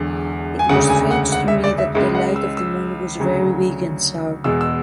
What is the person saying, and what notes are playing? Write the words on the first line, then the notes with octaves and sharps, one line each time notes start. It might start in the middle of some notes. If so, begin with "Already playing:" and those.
It was strange to me that the light of the moon was very big and sharp.
Already playing: E1 E2 D3
G#5
E1 D2 C#3 F#5
G#5
F#5
F#5
E5
D5
E5
C#2 C#3 G#3 E5
F#5
E6
E6
D2 C#3 F#3
E2 B2 G#3 E6
E6